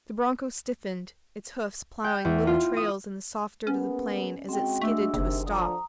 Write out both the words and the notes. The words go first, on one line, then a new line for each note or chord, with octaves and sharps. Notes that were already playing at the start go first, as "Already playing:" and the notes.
The broncho stiffened, its hoofs ploughing little trails in the soft dirt of the plain as it skidded to a stop.
G5
E2
F4
D#6
G#3 A#3 B3 C#4
G#3 C4 F#4 G5
A3 D4 E5 E6
F#1 G#2 C3 D#3
D3 F3 A#5 D#6